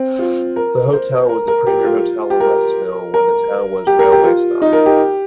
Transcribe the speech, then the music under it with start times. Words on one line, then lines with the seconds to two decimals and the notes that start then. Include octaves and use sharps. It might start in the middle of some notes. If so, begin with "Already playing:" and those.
The hotel was the premiere hotel in Westville when the town was railway stop.
Already playing: C4
0.19 F4
0.56 A#4
0.93 C5
1.29 A#4
1.48 A#4
1.67 G4
1.84 F4
2.30 G4
2.40 A#4
3.14 A#4
3.87 G4
3.99 A#4
4.12 G4
4.24 F4
4.62 D#4
4.73 A#4
4.86 G4